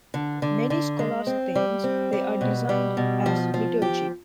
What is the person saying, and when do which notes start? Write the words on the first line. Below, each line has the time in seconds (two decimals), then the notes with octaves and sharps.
Many scholars think they are designed as liturgy.
0.14 D3
0.42 D3
0.70 D3
0.99 G#3
1.27 C4
1.55 G3
1.84 C4
2.13 G3
2.41 B2
2.69 G3
2.97 B2
3.26 F3
3.54 F3
3.82 G4